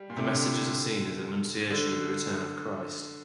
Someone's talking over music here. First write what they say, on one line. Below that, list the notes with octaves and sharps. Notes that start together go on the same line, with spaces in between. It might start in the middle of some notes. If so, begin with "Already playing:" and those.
The messages are seen as an annunciation of the return of Christ.
Already playing: G3
A#2
C3
D3
D3